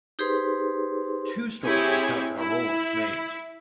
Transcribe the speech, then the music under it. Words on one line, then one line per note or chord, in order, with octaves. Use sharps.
Two stories account for how Rolla was named.
D#4 G4 G#4 B4 C5 C6
C4 E4 G4 G#4 C#5 G#5
E4